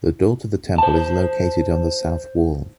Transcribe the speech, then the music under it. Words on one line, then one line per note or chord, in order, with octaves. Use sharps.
The door to the temple is located on the south wall.
C5 A5